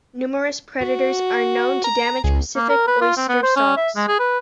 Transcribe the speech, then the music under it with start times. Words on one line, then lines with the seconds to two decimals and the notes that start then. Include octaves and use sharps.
Numerous predators are known to damage Pacific oyster stocks.
0.81 F#4
1.84 A#5
2.24 C#2 G#4
2.56 A#3
2.69 A#4
2.87 B4
3.01 F4
3.17 C4
3.29 B3
3.43 C5
3.56 C#4
3.77 E5
3.96 G#3
4.08 G#4
4.20 B4